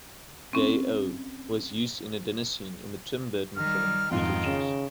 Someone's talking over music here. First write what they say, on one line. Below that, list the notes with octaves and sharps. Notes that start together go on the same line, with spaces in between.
"Day-O" was used in a dinner scene in the Tim Burton film "Beetlejuice".
C4 C#4
D#3 G3 F6
F2 G#2 D#3 F4 G5
C#3 E7